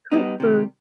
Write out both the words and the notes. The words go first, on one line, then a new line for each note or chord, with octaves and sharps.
sweet food,
G3 B3 D#4
C3 D#3 G3